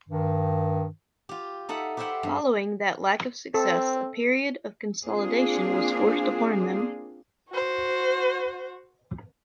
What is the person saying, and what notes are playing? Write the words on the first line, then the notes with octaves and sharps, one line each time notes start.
Following that lack of success, a period of consolidation was forced upon them.
G2 D#3
F4 G4
D#4 A4 E5 F#5 B5
G4 B4 C5 E5 F#5 G5
G2
C4 A4
A#3 C4 D4 F4 G#4
F#4 C5